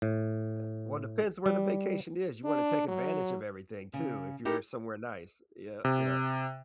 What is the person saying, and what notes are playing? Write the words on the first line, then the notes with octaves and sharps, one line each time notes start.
Uh, well, depends where the vacation is, you wanna take advantage of everything too if you're somewhere nice. Yeah, yeah.
A2
G3
D4
F#3
C#3
D#4 E4 G4 A4 A#4
C3